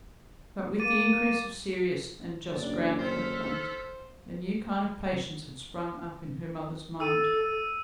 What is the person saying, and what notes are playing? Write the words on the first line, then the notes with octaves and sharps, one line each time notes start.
But with the increase of serious and just ground of complaint, a new kind of patience had sprung up in her mother's mind.
A#3 D6 A6 D#7
F#1 D4 D5
A4 C5 F6 B6
A4 E6 D#7